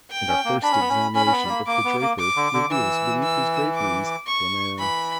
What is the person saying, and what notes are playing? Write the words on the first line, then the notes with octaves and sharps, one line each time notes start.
And our first examination of the draper reveals beneath his draperies--the man!
G5
C#4
A#3
D4 B5
C#4
B3
C#4
C#4 B5
C#4
B3
G3
A#3
A#3 D6
B3
A#3
D6
D3
D3
E3 E6
E6
D6
C#6
E3 B5